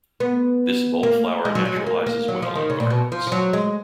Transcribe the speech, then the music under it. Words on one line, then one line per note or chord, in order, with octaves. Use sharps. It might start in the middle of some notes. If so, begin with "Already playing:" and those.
This bulbflower naturalizes well in gardens.
B3
A#3
G#3
F#3
F#3
G#3
A#3
A#3
F#3
F3
D#3
C#3
A#2
B2
F3
F3
F#3
G#3